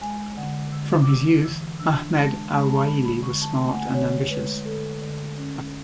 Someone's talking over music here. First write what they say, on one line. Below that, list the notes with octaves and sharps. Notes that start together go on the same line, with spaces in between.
From his youth, Ahmed Al-Waeli was smart and ambitious.
G#3 G#5
D3 F#5
D3 E6
D6
D3 E6
E3 E6
D4 E6
G#3 A5
G#3 A5
B5
A5
D3 B5
B5
D3 C#6
A5
A3 A5
G#5
F#5
G#5
D3 C#5
G#3 B4
D3 A4
D3
C#4